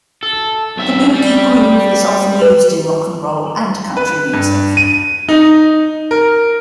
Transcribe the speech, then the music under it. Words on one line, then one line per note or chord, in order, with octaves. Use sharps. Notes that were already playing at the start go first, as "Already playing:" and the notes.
The boogie groove is often used in rock and roll and country music.
A4
B1 E5
G3
B4
B4
G2
D#7
D#4
A#4